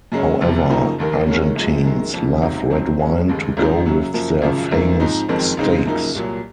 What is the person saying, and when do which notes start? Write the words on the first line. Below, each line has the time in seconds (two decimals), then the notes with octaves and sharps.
However, Argentines love red wine to go with their famous steaks.
0.12 F#2 C#3 G#3 C#4
0.41 F#1 F2 C3
0.70 F#2 C#3 F3 A#3 D#4
0.98 F1 D#2 D#3 A#3
1.26 D#2 D#3 G#3 C#4
1.55 G#1 F#2 F3 G#3
1.84 F#2 D#3 G#3
2.13 F1 F2 C#3
2.41 C#2 C3 F#3 C4 D#4
2.70 F2 C#3 F#3 C4 D#4
2.99 F#2 F3 G#3 C#4
3.28 F1 D#2 C#3 G#3
3.57 G#1 G#2 F3 C4 D#4
3.85 F#2 C#3 F#3
4.13 F#2 F3 A#3
4.42 G#1 F#2 C#3 F3
4.71 G#1 F#2 D#3 A#3
5.00 G#2 F3 C4 D#4
5.28 F#1 F2 D#3 G#3 C4
5.57 C#2 C#3 G#3 C4 D#4
5.85 F#2 C#3 F3 A#3 D#4
6.15 C2 A#2 F#3